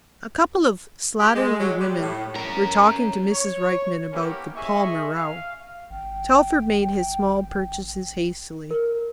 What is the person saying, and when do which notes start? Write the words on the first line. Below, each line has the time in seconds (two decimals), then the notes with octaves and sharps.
A couple of slatternly women were talking to Mrs. Rykman about "the Palmer row." Telford made his small purchases hastily.
1.20 G4
1.35 G#3
1.60 F#3
1.80 G3
2.00 A2
2.36 C#4 A#4
3.31 C#5
4.12 A#3 B3 C#4 E4 G4 A#4
4.56 G#4 D#5 E5 G#5 C#6
5.16 F5
5.90 G#1 G5
8.71 A#4